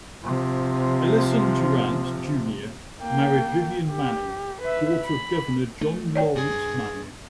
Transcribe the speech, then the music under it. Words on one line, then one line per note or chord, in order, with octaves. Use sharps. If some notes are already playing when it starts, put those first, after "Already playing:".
Ellison DuRant, Junior married Vivian Manning, daughter of Governor John Lawrence Manning.
C3 F3
A#3 G5
G4
B4 E5
B5
A3
C#5 D5 G5
G2 G#4